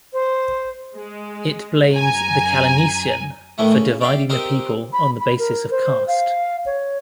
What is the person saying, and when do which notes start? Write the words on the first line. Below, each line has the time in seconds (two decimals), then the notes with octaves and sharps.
It blames the kalineesan for dividing the people on the basis of caste.
0.13 C5
0.95 G#3
1.94 F#2 G#5 A#5
3.58 A2 D#3 E3 A3
3.74 C#3
4.01 D5 E5 F5 G5
4.29 C4 D#4 G4 A#4 C5
4.93 B5
5.20 B5
5.39 A#4
5.71 C5
6.08 F5
6.66 C#5